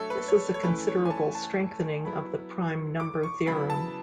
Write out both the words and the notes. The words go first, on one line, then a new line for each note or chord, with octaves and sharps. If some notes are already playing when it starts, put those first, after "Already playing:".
This is a considerable strengthening of the prime number theorem.
Already playing: F#3 A3 D4 A4 C#5 E5
B4
C#5
C#5
E3 A3 C#4 E4 B4
C#5
G#5
A5
A5
F#3 B3 E4 B5
D6
C#6
C#3 F#3 B3 E4 B5
A5